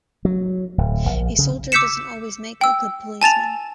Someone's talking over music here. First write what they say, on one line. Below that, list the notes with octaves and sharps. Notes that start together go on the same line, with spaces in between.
A soldier doesn't always make a good policeman.
F#3
D1
A#1
C#3
D6 E6 G6 B6 C#7 E7
G5 E6
G#5 A5 A6 F7